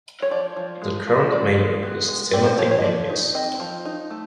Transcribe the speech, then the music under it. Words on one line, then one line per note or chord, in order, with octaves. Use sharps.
The current mayor is Timothy Maniez.
C#5
F3 D5
F3
G#3
F3
G#3 D5
G#3
B3
G#3
C4 D5
C5
F3 C#5
C#5
D#5
F3 D5
D#4
C4 D#5
F3
D#4
A3